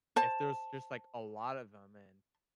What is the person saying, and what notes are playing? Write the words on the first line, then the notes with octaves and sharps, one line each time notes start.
if there's just, like, a lot of them, and
C5 A5